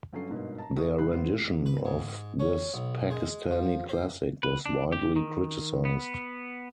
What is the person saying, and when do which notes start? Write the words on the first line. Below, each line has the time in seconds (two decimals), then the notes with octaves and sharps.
Their rendition of this Pakistani classic was widely criticized.
0.13 G1 F#3 C#4 A4 C7
0.29 G1 G#2 B2 A#3
0.58 A5 A#5
0.77 A4 B4 D#5 C#6 D#6
0.98 D#2 C3 G3 B5 F#6 C7
1.12 B3 C4 C5 C7
1.66 B4
1.85 G#2
2.39 C#4
2.74 B1
3.10 G#3
3.51 F3
3.89 C5
4.43 B4
4.66 D4
4.92 G4
5.16 D#3
5.85 B3